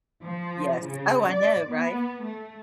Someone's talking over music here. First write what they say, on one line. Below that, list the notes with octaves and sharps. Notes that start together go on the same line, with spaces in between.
Yes. Oh, I know. Right?
F3
C#3
D5
B3
A3